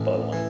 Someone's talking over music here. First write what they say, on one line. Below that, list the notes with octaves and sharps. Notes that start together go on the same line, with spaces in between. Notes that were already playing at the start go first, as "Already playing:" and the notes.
but, um,
Already playing: A1
E3